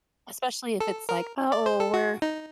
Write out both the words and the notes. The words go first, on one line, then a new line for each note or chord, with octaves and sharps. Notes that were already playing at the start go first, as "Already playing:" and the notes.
especially if it's like, "Oh, we're
A4
A#4
D5
C5
A4
F#4
D#4